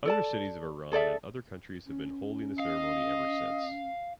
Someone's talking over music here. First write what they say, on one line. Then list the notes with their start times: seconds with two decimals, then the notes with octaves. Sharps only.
Other cities of Iran and other countries have been holding the ceremony ever since.
0.05 A4 D5 A5
0.92 G#4 A4 D5 E5
1.86 C#4
2.60 D#5 F5